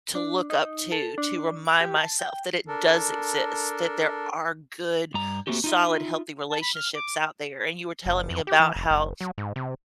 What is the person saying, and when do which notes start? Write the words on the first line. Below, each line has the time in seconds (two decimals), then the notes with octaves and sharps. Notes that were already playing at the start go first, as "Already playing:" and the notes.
to look up to, to remind myself that it does exist, that there are good, solid, healthy relationships out there. And you were telling me about how
0.15 D4
0.50 D#4
0.92 A4
1.18 D4
1.65 D7
1.80 G4
1.97 A5
2.19 G5
2.68 D4 A4 A#4
5.14 G2 A#5
5.47 A3 A#3 C4 F#4 G4
5.64 D#4 F4 E5
6.50 A5
6.61 B5
6.74 F6
6.95 D6
8.06 F#1
8.30 F2
8.47 G4
8.60 E3
8.76 F1
8.90 F#1
9.21 F#3
9.38 G#2
9.56 C3